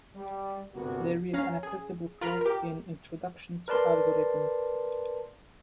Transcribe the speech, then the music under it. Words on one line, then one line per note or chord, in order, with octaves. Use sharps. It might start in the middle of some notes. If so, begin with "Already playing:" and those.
There is an accessible proof in "Introduction to Algorithms".
G3
G1 C3 A#3 B3 D4 F#4
C#4 F5 A#5
G#4
F4 A#4 B5 F6
G4 A#4
A#4 B4 D5 A5 C6